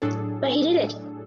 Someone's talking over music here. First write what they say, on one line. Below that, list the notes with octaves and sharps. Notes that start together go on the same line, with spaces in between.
But he did it!
A2 F#3 D4 G#4 A4